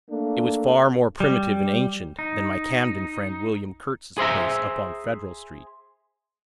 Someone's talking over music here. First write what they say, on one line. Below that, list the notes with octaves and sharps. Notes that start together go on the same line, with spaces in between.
It was far more primitive and ancient than my Camden friend William Kurtz's place up on Federal street.
A3 A#3 D4
G3
D#4
G#4 C5 E5 A#5